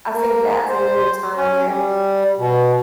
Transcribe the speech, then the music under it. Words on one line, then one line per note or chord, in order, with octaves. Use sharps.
I think that's another time where
A#3
C5
C#4
G3
B2